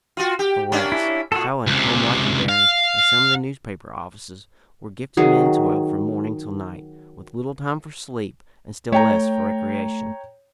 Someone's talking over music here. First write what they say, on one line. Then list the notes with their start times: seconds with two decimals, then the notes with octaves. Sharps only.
Alas! how unhomelike and barren are some of the newspaper offices, where gifted men toil from morning till night, with little time for sleep, and still less for recreation.
0.17 F4 F#4
0.39 G4
0.72 A#3 C#4 D4
0.92 E4
1.32 A2 F#4 A4
1.67 C#2 C3
2.49 F5
5.17 D#3 F#3 G#4
8.92 A3 C#5 G5 A#5